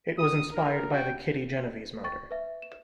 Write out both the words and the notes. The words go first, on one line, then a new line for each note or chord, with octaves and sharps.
It was inspired by the Kitty Genovese murder.
D#6
A#4
F#4 G5
G5 C#6 A6
B4 E5 F5
E7